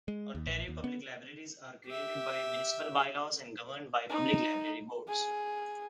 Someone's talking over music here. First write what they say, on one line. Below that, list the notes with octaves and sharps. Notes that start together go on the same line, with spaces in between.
Ontario public libraries are created by municipal by-laws and governed by public library boards.
G#3
D#2
A#1
D#2
B3
G4 E5
D#4
G#4